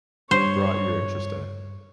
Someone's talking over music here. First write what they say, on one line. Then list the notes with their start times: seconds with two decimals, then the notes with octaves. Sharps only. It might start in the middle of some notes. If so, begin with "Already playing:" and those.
brought your interest in it?
0.31 G2 C5 C#5